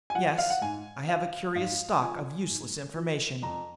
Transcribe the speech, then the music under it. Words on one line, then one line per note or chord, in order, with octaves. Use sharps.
"Yes, I have a curious stock of useless information."
G#5
F3 F#5
F5
F#5
G#2 G#5
F3 F5
G#2 F5
F3 G#5
G#2
F3
F2 A#5